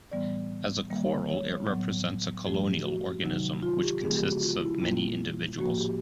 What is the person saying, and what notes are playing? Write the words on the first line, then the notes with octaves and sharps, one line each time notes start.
As a coral, it represents a colonial organism, which consists of many individuals.
A2 E3 G3 B3 D5
D#3 G3 A#3
C#5
A2 F#3 B3
A2 F3 A3 G4
F#4
C3 D#3 F#3 D#4
F4
G4
C#3 F3 G#3 B3 G#4
G4
F#4
F4
E4
A#2 G3 A#3 F4
A2 F3 A#3 F#4
G4